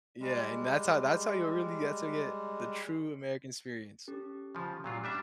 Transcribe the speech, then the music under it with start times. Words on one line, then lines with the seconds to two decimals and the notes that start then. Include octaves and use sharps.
Yeah, and that's how that's how you really that's how you get to get the true American experience.
0.21 G3 G#3
4.08 C#4 G4 A4
4.55 C#3 F3
4.84 A#2 F#3 F4
5.04 G3 D4 E5